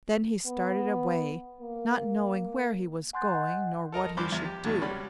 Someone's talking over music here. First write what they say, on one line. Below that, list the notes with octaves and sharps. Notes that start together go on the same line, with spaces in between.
Then he started away, not knowing where he was going nor what he should do.
B3
A#3
F#5 G#5 C6 F#6 G6 A6
D#5 F#5 G#5
A4 A#4 D#5 A#5
G2 E3 F3 C5 B5 D6
E2 F3 E5
G4
E2 G#2 B2 A3
C#2 G3 C#4 D5 B5